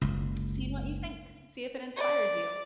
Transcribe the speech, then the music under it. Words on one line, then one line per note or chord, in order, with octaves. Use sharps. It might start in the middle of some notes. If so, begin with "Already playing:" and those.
seeing what you think. See if it inspires you.
F#1 C#2
D5